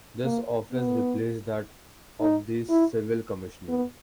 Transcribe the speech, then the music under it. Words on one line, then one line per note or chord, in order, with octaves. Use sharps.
This office replaced that of the Civil Commissioner.
A#3
B3
D#4
E4
B3